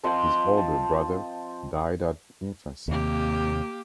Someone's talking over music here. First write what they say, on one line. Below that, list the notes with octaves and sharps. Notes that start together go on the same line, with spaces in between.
His older brother died at infancy.
F3 C4 D#5 C6
A5
D#2 C3 A#3 G4